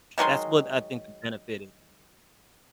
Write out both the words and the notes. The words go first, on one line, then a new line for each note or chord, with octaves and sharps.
that's what I think the benefit is.
D#3 F#3 G#3 C6